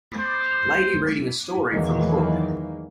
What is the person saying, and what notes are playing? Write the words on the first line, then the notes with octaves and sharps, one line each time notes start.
Lady reading a story from a book.
C5
E2 D#3 E3 F#3 G#3 A#3